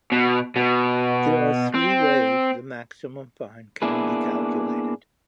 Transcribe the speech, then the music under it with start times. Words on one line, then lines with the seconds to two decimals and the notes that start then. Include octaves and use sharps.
There are three ways the maximum fine can be calculated.
0.12 B2
0.56 B2
1.75 C4
3.82 A#3 B3 D4 E4 G#4 B4